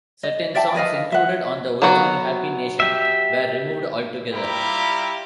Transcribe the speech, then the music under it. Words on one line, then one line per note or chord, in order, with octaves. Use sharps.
Certain songs included on the original "Happy Nation" were removed altogether.
D#5
D5 E5 G5 A5
G#4 B4 D#5 F5
E5 F#5
F#3 B3 F#4
G4 E5
G3 E4 F4 G4 A#5 B5